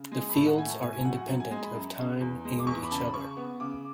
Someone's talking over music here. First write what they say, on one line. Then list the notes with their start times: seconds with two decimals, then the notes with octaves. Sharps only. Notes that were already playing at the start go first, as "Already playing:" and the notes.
The fields are independent of time and each other.
Already playing: C#3
0.12 G#3 G#5
0.29 B5
0.35 A2 A5
0.47 F#5
0.58 A3 G#5
0.70 A5
0.81 A2 G#5
0.93 G#5
1.04 F#3 F#5
1.17 F#5
1.28 F#2 F#5
1.40 G#5
1.51 G#3 G#5
1.62 B5
1.75 F#2
1.97 C#3
2.20 E2
2.45 G#3
2.59 D6
2.67 E2 C#6
2.83 B5
2.91 C#3 A5
2.98 B5
3.14 C#3 C#6
3.37 B3
3.60 C#3 D6